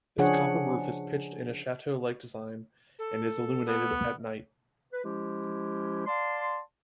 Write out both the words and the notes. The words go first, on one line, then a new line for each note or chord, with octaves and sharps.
Its copper roof is pitched in a chateau-like design and is illuminated at night.
C#3 F3 D4 G#4 C#5 F#5
A4
B3
B4
F3 G#3 C#4 E4 G4
D5 F5 A5 C6